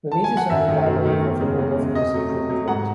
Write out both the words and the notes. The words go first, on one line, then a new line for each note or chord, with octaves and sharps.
Release is only by way of an order from the Supreme Court.
A5
G#5
F#5
F#2 E5
D#3 A3
F#2
D#3 A3
E2
C#3 G#3
E2
C#3 G#3
C3 D#5
F#3 A3
C3
F#3 A3
G#2 F#5